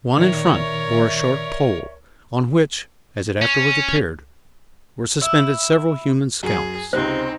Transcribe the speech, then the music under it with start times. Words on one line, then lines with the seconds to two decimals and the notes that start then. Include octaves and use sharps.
One in front bore a short pole, on which, as it afterwards appeared, were suspended several human scalps.
0.18 A#2 D#3 A#4 C#5 D5 E5 C#6
3.42 C#4
5.21 E4
6.43 F#2 G#4
6.93 C#2 C3 C4 D#4 C5